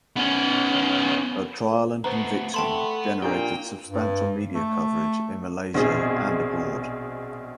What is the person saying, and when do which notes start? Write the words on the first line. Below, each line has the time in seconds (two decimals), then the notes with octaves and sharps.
Her trial and conviction generated substantial media coverage in Malaysia and abroad.
0.16 B3 C#4
2.04 A3 B3 B4 C5 A#5
2.54 A3 F#5 G5 A5 B5 C6
3.22 A#2 D4 E4 G4 G5
3.88 G2
4.54 A3
5.74 A#1 B2 C4 G#4